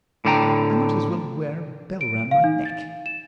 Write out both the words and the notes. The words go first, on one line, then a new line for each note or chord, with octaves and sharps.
I might as well wear a bell round my neck.
A2 D3 E4 G5 A#5
D7
F5
D#4
A6
E7